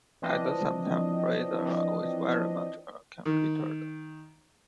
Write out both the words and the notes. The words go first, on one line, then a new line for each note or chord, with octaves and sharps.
At the same time, Burroughs was very much a competitor.
E3 F3 C4 D4 D#5
D#3